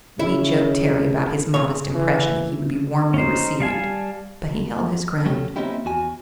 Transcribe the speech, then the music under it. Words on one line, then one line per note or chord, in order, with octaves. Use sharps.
We joked Terry about his modest impression that he would be warmly received, but he held his ground.
C#3 E4
C#3 C#5
E3
C#4 D#4 C5
G3 F5 G#5 A5
F#3 A3 C#4 G4
A#3 C4 C#4 D#4 E4 G4
E2 F#4 G#5